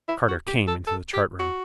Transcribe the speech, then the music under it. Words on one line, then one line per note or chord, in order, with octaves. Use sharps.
Carter came into the chart room.
E4
F#4
G4
A4
A4
G4
F#4